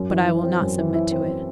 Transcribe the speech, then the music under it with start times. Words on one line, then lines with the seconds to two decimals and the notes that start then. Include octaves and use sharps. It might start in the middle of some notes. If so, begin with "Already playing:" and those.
But I will not submit to it.
Already playing: F#2
0.10 E3
0.27 E4
0.43 C4
0.61 F#2
0.78 E3
0.94 E4
1.12 C4